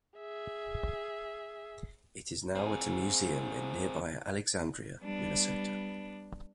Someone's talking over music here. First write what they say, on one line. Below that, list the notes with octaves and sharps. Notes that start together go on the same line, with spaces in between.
It is now at a museum in nearby Alexandria, Minnesota.
G#4 E5
C4 G#4
G3 B3 D4